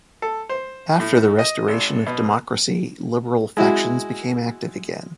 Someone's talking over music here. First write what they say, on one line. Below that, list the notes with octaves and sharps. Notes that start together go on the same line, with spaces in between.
After the restoration of democracy liberal factions became active again.
A4
C5
A2
D#5
G#1
B2
G#3 E4 F#4